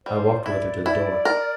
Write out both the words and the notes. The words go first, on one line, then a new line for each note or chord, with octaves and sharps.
I walked with her to the door.
G3 C5
E4 D5
E4 D5
A#4